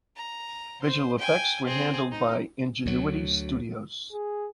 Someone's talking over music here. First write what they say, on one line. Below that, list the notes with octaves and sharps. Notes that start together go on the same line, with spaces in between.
Visual effects were handled by Ingenuity Studios.
A#5
C5
G5 G#5
C4 G#4
D#4
D2 F#3
G#4